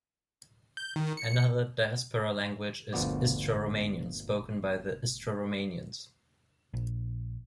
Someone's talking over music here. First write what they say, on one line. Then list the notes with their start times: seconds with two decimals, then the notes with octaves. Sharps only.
Another diaspora language is Istro-Romanian, spoken by the Istro-Romanians.
0.77 G6
0.96 D#3
1.17 C#7
2.93 G1 D2 A#2 F3 B3 D5
6.74 A#1